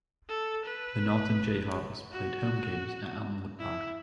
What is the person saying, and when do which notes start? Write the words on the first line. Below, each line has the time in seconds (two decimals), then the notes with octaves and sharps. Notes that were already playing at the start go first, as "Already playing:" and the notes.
The Norton Jayhawks played home games at Elmwood Park.
0.29 A4
0.66 B4
2.12 F#4
3.59 E4